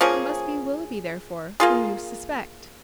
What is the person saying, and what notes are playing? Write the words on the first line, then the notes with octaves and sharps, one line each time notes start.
It must be Willoughby therefore whom you suspect.
F3 A#3 C#4 G#4
A#3 F4 G#4